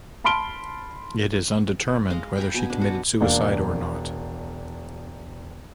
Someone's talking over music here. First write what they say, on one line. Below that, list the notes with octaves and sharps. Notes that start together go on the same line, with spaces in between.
It is undetermined whether she committed suicide or not.
A5 B5 C6 F6 D7 G7
G#3 D#5 F5
G5 G#5 A#5 B5
B2 G#5
D4
F#4
E1 A#3 D4 F5